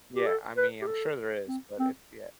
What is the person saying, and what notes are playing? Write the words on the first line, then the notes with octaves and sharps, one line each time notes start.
Yeah, I mean, I'm sure there is, but it's Yeah.
G4
A4
B4
G4
A4
C4
C4